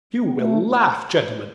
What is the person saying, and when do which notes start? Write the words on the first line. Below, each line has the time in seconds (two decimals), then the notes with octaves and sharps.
You will laugh, gentlemen.
0.23 C4
0.32 B3
0.40 A3